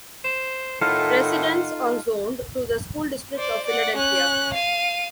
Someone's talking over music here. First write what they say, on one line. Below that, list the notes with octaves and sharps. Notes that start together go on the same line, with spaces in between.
Residents are zoned to the School District of Philadelphia.
C5 E7
A2 D#3 D#4 F4 A4 F#5 F6
C5 D5
D5 F#5
C#4 F#6
F5 D#7